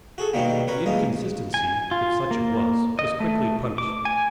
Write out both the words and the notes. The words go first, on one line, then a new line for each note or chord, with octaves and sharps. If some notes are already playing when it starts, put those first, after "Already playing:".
The inconsistency, if such it was, was quickly punished.
F#4 G#4 A4
B2 D#3 F#3 G3 A#3 B3
A#4 B4 C#5
E2 G#3 A#3 D#5
G#5
F4
A#3
D#5
A3
D6
G#5